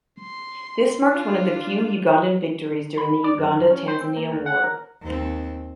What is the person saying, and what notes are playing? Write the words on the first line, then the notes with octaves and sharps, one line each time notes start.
This marked one of the few Ugandan victories during the Uganda–Tanzania War.
C6
D4 F4
B5
D5
F#2
F#2
C#4
C5
C4
A#3
D2
F#5
A#4
D#2 C4